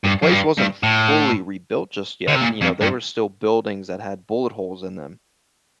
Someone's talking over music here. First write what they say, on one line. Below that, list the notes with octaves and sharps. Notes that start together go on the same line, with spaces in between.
the place wasn't fully rebuilt just yet, you know, there were still buildings that had bullet holes in them.
G2
F2
G2
G2
A2
D3
C3
A#2
F2
G2